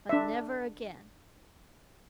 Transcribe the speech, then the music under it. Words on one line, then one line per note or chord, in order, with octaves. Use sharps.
But, never again!
D4 E5